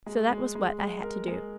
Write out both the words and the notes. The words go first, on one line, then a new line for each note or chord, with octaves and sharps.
So that was what I had to do.
G#3
G#3
G#3
G#3
A#4
G#3